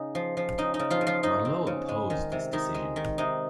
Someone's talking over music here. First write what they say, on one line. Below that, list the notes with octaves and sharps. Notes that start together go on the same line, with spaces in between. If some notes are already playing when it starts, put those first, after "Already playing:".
Marleau opposed this decision.
Already playing: C#3 D#4
F3
F3
C#3 D#4
D#4
C#3
F3 F4
C#3
F3 F4
F3 D#4
C4
C#3
G#3
D#3
C3
D#3 D#4
G#3
D#3
C3 D#4